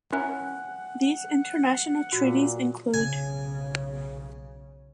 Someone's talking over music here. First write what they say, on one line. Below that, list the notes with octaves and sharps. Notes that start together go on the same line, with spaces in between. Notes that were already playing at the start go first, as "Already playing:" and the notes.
These international treaties include.
C#4 E4 A#4 F#5 G#5 F#6
A#2 F#4
B1 C#3 G#5